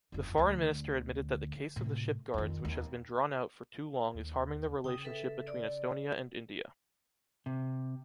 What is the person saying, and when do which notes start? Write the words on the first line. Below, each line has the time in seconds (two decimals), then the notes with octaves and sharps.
The Foreign Minister admitted that the case of the ship guards which has been drawn out for too long is harming the relationship between Estonia and India.
0.12 F#1 F2
0.38 D2 D3
1.76 A2 C3
2.34 F2 D#3
2.65 D#2
4.15 D#2
4.84 C#3 G5 D#6
5.05 A4 B4 E5
5.47 D5
7.46 C3